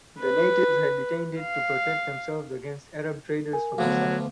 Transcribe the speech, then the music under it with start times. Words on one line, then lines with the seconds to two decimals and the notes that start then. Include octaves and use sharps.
The natives had detained it to protect themselves against Arab traders from the South.
0.20 B4
1.41 F5
3.53 A#4 G#5
3.78 D2 F3 F#3 B3 F5